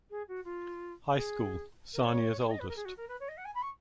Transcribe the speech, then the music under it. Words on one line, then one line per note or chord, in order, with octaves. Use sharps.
High School, Sarnia's oldest.
G#4
F#4
F4
G#4
A#4
C#5
C#5
D#5
B4
A#4
G#4
F#4
A#4
B4
C#5
D#5
F#5
G#5
B5
C#6